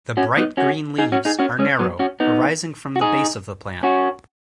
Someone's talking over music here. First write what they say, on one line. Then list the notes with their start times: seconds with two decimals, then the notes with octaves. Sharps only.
The bright green leaves are narrow, arising from the base of the plant.
0.17 C#4 F#4
0.37 B3 D#4
0.57 C#4 F#4
0.98 D#4 G#4
1.12 C#4 F#4
1.25 D#4 G#4
1.39 C#4 F#4
1.59 G#3 C#4
1.79 F#3 B3
1.99 C#4 F#4
2.20 B3 D#4
2.96 F#4
3.01 D#4 G#4
3.83 C#4 F#4